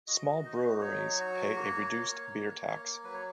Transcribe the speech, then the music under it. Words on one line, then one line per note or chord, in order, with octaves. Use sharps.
Small breweries pay a reduced beer tax.
F#4 D#5
D#4
F#3 C#5
F#4
A#3
A#3
A#3
A#3
F#3 B4
C#5